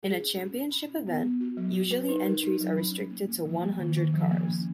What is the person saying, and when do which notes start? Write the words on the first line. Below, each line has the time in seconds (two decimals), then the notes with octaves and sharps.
In a championship event, usually entries are restricted to one hundred cars.
0.03 G#4
0.20 C#4
0.38 C#4
0.55 C#4
0.71 C#4
0.88 C#4
1.07 B3
1.23 B3
1.40 F#4
1.57 F#3
1.74 F#4
1.91 B4
2.09 D#4
2.25 A#4
2.43 D#4
2.60 F#3
2.77 C#4
2.95 C#4
3.11 A#3
3.28 A#3
3.45 F3
3.62 A#3
3.79 D#3
3.96 D#3
4.14 F3
4.31 A#3
4.47 C#4